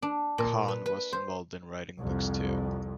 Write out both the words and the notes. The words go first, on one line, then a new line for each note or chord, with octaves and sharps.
Khan was involved in writing books too.
D4
A#2
B4
B4
C5
C2 F2